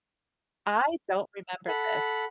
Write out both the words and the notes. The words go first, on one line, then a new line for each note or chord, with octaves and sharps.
I don't remember this
A4 F#5 B5